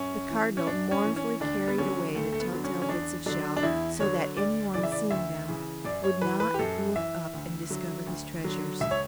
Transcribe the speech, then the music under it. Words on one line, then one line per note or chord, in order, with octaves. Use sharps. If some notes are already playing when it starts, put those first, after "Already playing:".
The Cardinal mournfully carried away the tell-tale bits of shell, so that any one seeing them would not look up and discover his treasures.
Already playing: F#2 C#4
E3
C#4
F#2 D4
C#4
E3
C#4
D2 D4
B3
D3 F#3 C#4
D2 A3
A3
B3
D3 F#3
C#4
C#4
E2 D4
D3 F#3 D4
D4
E2 E4
D3 F#3 C#5
D2 D5
C#3 E3 D5
E5
D5
D2 E5
C#3 E3
F#2 D5
C#5
E3 B4
B4
G4
F#2 A4
E3 E5
D2
D3 F#3
D2
D3 F#3
C#2 E5
C#5